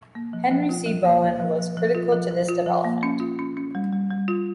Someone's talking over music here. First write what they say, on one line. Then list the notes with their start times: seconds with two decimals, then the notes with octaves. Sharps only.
Henry C. Bowen was critical to this development.
0.15 A#3
0.33 F3
0.51 F3
0.69 F4
0.86 F3
1.05 A#3
1.23 F3
1.40 F3
1.59 F3
1.77 F3
1.95 F4
2.12 F3
2.31 F3
2.49 F4
2.66 F3
2.85 A#3
3.03 C#4
3.20 F4
3.39 C#4
3.57 C#4
3.75 G3
3.93 G3
4.11 G3
4.28 F4